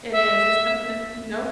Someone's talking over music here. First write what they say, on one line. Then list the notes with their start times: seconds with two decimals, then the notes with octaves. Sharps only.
It is, it's something that nope.
0.12 E5